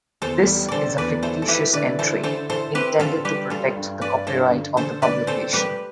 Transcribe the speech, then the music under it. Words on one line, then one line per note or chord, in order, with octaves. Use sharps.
This is a fictitious entry, intended to protect the copyright of the publication.
E2 A4 C5
G3
D3 A4 C5 D5
E2 B4 D5
E4 A4 C5
A4
E4 G4 B4
D3 B4 D5
E4 A4 C5
D3 A4 C5
E4 A4 C5
C4 G4 B4
D3 F4 A4
G3 G4 B4
G3 F4 A4
G2
G2 B4 D5
D4 A4 C5
D3
D3 A4 C5
D3 B4 D5
C4 A4 C5
G3 G4 B4